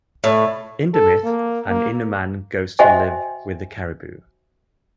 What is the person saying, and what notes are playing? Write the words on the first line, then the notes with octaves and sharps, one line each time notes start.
In the myth, an Innu man goes to live with the Caribou.
A2
A4
A#3
A#3
F#4 C5 D#5 E5 G5 G#5